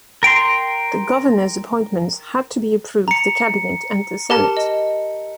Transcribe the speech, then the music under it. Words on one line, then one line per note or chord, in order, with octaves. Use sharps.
The Governor's appointments had to be approved the Cabinet and the Senate.
A#4 G5 A#5 C6
A#5 C#7
G4 A#4 A5
D#5